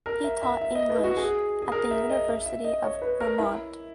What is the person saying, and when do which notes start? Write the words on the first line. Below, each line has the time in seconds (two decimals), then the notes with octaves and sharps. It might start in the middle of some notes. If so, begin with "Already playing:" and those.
He taught English at the University of Vermont.
0.06 A#4
0.24 E5
0.43 E5
0.61 E5
0.75 D#5
0.89 B4
0.97 E4
1.04 F#4
1.17 G#4
1.62 G#4
1.72 A#4
1.91 E5
2.09 D#5
2.28 E5
2.46 E5
2.64 D#5
2.83 C#5
3.02 B4
3.20 A#4
3.38 E4